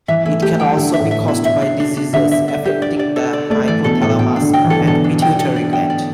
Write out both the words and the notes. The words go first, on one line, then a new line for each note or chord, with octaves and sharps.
It can also be caused by diseases affecting the hypothalamus and pituitary gland.
E3 E5
A3 E4
A3 G4
G3 G5
D3 E4
E5
A2
E5
B2 E4
E5
D4
D4
D4
D3 E5
E5
E5
G4
D5
D5
A4
D5
A3 D5
E3 D5
B2 A4
A2 A4
B2 G5
D4
D3
G5
E3
A4
D3
B2 A4
D4
G5
A4
D5
G5
D5